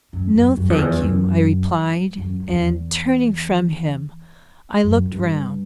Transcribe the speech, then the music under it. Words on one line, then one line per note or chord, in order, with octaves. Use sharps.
'No, thank you,' I replied; and, turning from him, I looked round.
F#2
F#2
F#2
F2
E2
F#2
G2
F#2
E2
F#2
G2